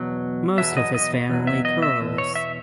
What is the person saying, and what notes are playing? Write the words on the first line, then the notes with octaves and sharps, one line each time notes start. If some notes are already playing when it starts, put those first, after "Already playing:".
Most of his family curls.
Already playing: E2 B2 F#3
E2 B2 F#3 E5
D#5
D#5
E2 B2 F#3
E5
D#5
E5
E2 B2
C#5
E5